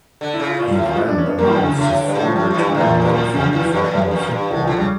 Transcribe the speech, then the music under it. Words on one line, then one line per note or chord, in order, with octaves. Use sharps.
He then announced his full retirement from professional football.
D3
E4
C#3
F4
A#2 F4
A2 E4
F2 F4
E4
D4
C#4
D4
F2 A#3
E3
D3
C#3
A2 D3
G2
A2 D3
F3
A2 G3
F3
A2
G2 E3
D3
E2
A#2
F2
G2
F2
F2 C#3
D3
F2 E3
E3
G2
A#2
A2
G2
F2
G2
A2 E3
D3 F3
C#3 G3